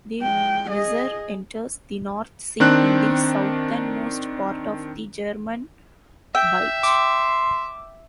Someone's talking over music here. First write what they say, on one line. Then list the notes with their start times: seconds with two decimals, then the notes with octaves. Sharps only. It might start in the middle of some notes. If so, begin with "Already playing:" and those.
The Weser enters the North Sea in the southernmost part of the German Bight.
0.22 G#3 G5
0.69 G#4 D#5
2.60 D#3 C4 D4 F#6
6.35 E5 G5 E6
6.83 C6 D6